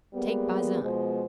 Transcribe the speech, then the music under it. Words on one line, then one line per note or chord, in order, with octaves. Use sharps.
"Take Bazin."
G3 G#3 A#3 B3
B2 F3 G#3 B3 C5